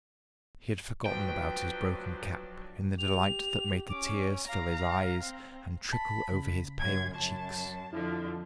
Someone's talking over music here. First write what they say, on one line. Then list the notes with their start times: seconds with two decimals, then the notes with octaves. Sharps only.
He had forgotten about his broken cap in the delight that made the tears fill his eyes and trickle over his pale cheeks.
1.06 F3 F#3 D4 B4 G5
2.99 G4 F7
3.89 C#4 D6
4.48 F5 A#5
5.24 C4
5.93 A5 B5
6.32 C#3
6.80 F#2 G#6
7.14 F#2 A5
7.93 F2 D3 F3 E4